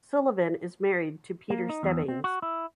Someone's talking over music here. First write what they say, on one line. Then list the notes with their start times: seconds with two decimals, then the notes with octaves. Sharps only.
Sullivan is married to Peter Stebbings.
1.50 A#3
1.69 D#4
1.83 E2
2.08 C4
2.24 F#4
2.42 E4